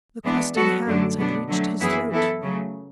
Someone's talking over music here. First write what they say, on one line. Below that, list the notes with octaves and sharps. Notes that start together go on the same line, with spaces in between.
The questing hands had reached his throat!
E3 G#3 B3 D4
F#3 B3 F#4 A4
F#2 D3 F#3 A3 D4
B2 F#3 B3 D4
D3 F#3 A3
F#2 E3 B3 E4 G#4
E3 B3 E4 A4
C#3 F#3 A3